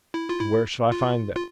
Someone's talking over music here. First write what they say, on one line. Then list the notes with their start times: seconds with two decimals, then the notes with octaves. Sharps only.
"And where shall I find them?"
0.14 E4
0.29 F4
0.39 E4
0.92 F4
1.35 F4